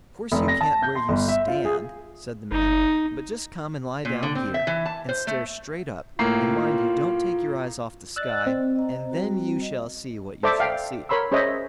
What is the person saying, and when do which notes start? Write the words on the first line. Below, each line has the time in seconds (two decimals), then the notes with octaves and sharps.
'Of course you can't where you stand', said the man; 'but just come and lie down here, and stare straight up, and mind you don't take your eyes off the sky; and then you shall see what you shall see.'
0.32 F1
0.48 A#6
0.61 A5
0.83 G6
0.95 C6
1.09 G1
1.28 E5
1.48 F4
1.65 G#4
2.51 F#1 D#4
4.05 A#2
4.23 D3
4.35 C4
4.54 E5
4.67 E3
4.86 A5
5.09 C5
5.27 A3
6.19 A2 A#3 F4 C7
8.16 D5 D#5 E6 F#6 A6
8.47 C4
8.76 D#5 A#5
9.10 G3 F#4 A#5
9.62 D#5
10.43 A4 C5 D5 E5 D6
10.59 E5 F5 G5
11.09 A#4 C#5 B5 C6 E6
11.32 C#4 G#4 C5 C#5 D#5 E5